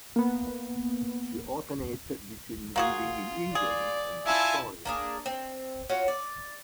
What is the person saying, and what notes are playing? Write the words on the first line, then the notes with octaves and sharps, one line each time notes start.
She alternated between living in England and Victoria.
A#3 B3
A#3 F4 F#4 G#4
G#4 D5
E4 F4 E5 G#5 A5
A#3 D4 G#4
C4
C#4 F4 F#4
D5